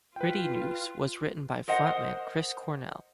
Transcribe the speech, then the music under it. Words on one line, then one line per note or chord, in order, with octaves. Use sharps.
"Pretty Noose" was written by frontman Chris Cornell.
F4 B4 G5
A#4 C5 D#5 F#5